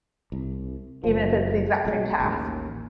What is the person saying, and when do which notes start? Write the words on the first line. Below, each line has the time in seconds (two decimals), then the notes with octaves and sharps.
even if it's the exact same task.
0.32 C2
1.04 F#1 F3
1.85 B1 G#3
2.20 A1 D#2